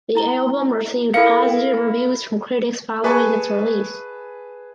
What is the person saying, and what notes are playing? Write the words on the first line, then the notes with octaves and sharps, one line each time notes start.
The album received positive reviews from critics following its release.
E4 A#5 G7
E4 A4 A#4 F5 C#7
G#4 B4 E5 G#5 A5 C#6